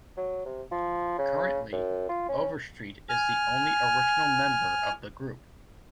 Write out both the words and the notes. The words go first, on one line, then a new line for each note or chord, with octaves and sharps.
Currently, Overstreet is the only original member of the group.
F#3
C3
F3
C#3
F#2
F4
C#4
G#5 F6